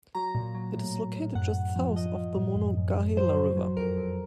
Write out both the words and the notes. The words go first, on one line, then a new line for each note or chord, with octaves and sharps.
It is located just south of the Monongahela River.
F#3 A#5
A#2
F#3
A2
A2
A2
F#2 F#5
F#2
F3
F3 D#5
F3
A2
F#2
F#2
F#2
F#3 C5
F#3
F#3
F2 A#4
F2